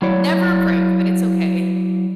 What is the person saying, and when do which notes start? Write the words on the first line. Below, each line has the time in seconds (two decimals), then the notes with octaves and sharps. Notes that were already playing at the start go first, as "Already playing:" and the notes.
never a break, but it's okay.
0.02 F#3 E4 C#5 D5